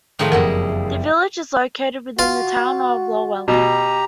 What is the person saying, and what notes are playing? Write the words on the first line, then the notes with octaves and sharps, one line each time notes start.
The village is located within the Town of Lowell.
A2 D#3 F3 G#4
F#1 F2 G3 E4 A#4 D#5 F#5
F4 F#4 F5
B2 G4 A#5